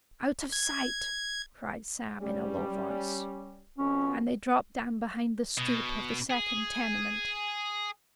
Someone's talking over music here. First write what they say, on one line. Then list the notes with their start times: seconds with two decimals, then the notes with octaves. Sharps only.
"Out of sight!" cried Sam in a low voice, and they dropped down behind the stoop of the second tenement.
0.52 G#6
2.20 G3 C#4
3.78 F2 B2 C#4
5.58 B2
6.30 G#4